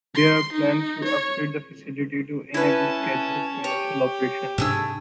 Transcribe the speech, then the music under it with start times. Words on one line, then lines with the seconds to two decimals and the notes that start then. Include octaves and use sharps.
There are plans to upgrade the facility to enable scheduled commercial operations.
0.15 C6
0.53 D#4
1.04 C#5
2.54 C#4 E4 B4 A5
3.64 G4 C#5
4.58 G#2 C3 A3 D4 G#4 E6